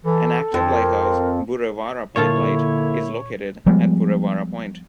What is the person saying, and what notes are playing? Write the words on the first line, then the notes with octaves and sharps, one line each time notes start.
An active lighthouse, Burrewarra Point Light, is located at Burrewarra Point.
E3 A4
F2 C4
A#4
A#2 D3 A#3 E4 F4 A4 C#5
F3 G3 G#3 B3